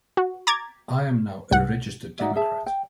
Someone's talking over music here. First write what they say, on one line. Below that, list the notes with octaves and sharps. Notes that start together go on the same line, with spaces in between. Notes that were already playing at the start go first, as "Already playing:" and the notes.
I am now a registered Democrat.
F#4
A#5 D6 G#6 A6
C2 F#5
D#4 F#4 D5 E5
G#4 E5 A5
G5